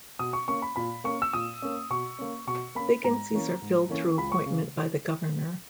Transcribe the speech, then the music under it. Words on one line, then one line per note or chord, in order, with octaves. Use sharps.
Vacancies are filled through appointment by the Governor.
B2 D#6
C#6
A#3 C#4 C#6
B5
A#2 B5
A#3 C#4 C#6
E6
A#2 D#6
A#3 C#4
B2 C#6
A#3 C#4
B2 C#6
A#3 C#4 B5
G#2 A#5
E3 A#3 C#4
G#2
E3 A#3 C#4
C#2 B5
C#6
C#3